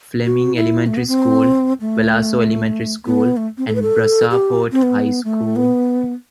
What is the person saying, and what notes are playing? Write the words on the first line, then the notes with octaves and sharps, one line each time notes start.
Fleming Elementary School, Velasco Elementary School, and Brazosport High School.
F#4
E4
A3
B3
C4
A3
B3
A3
C4
A4
B4
A4
G4
C4
B3
A3
B3